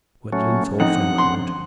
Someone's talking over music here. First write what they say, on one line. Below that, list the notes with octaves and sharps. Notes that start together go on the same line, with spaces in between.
Gwendolen thought for a moment.
F#3 A3 C#4
D3 F3 C4 D#4 F#5
C6